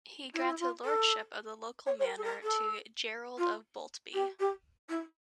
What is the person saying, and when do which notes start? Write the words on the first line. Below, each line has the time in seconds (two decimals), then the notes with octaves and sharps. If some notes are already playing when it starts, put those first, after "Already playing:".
He granted Lordship of the local manor to "Gerald of Boltby".
0.34 E4
0.42 F4
0.50 E4
0.59 F4
0.84 A4
1.86 C#5
1.99 C#5
2.05 A#4
2.17 A4
2.24 A#4
2.43 A4
3.38 F4
4.13 G4
4.39 G4
4.89 E4